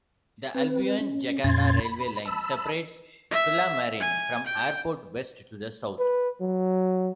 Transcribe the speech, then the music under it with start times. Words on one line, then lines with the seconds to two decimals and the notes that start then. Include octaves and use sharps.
The Albion-Jacana railway line separates Tullamarine from Airport West to the south.
0.54 C4 B4
1.00 C#4
1.44 F2 A#2 C#4 C6 G#6 A6
1.81 B5
2.25 A5 B5 E6
3.31 E5
4.01 G#5
4.46 G5
5.98 B4
6.41 F#3